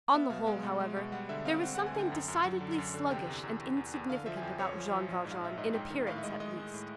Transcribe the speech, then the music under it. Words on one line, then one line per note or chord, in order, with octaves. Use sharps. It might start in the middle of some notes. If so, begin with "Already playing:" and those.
On the whole, however, there was something decidedly sluggish and insignificant about Jean Valjean in appearance, at least.
B3 E5
B2 F5
G#3 F5
B2
G#3
B2
G3 F#5
D3 E5
C4 F5
C4 F#5
D2 F#5
G#5
D3 G5
F#2
F#2
F#3
D3
F#2
D3
C3 G5
E2
E2
E2
E2
E2
D3 F5
F3 E5
G#5
F2 G5
F2 C#5
F3
F3
A#1
G#2
F5
A#1 E5
G#2 D#5
G#2 G5
D#3
A2 F5
E5
G#3 D#5
G#3 D#5
G#3
A2